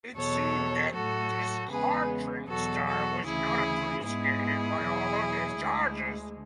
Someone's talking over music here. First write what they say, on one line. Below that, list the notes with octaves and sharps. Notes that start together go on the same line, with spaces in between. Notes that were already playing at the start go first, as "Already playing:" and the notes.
It seemed that his hard-training style was not appreciated by all of his charges.
E2 B2 F#3 A4 C#5
A2 F#3 A3 F#4 A4
E2 C#3 G#3 B3 G#4 B4
E2 B2 F#3 F#4 A4
F#4 A4
D2 C#3 E3 E4 G#4
G#2 G#3 B3 E4 G#4
E2 B2 F#3
D2 D3 G#3